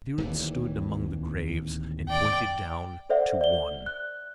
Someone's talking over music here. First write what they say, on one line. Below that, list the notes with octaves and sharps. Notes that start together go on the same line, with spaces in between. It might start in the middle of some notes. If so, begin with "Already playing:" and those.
The Spirit stood among the graves, and pointed down to One.
D1 D#2 E3
D5 G5
A4 C5 D5 E5 F#5
D5 G7
F#6